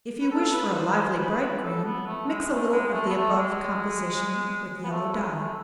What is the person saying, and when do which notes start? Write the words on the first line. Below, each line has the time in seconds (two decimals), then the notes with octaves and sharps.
If you wish for a lively bright green, mix a little of the above composition with yellow dye.
0.21 B4
0.31 A4
0.53 B4
0.74 C5
0.90 B4
0.96 C5
1.18 B4
1.41 B4
1.63 A4
1.84 B3
2.07 A3
2.28 G#3
2.50 A3
2.72 G#3
2.88 G#3
2.93 A3
3.08 B3
3.15 A3
3.37 G#3
4.84 B3
4.90 A3
5.12 G#3
5.34 A3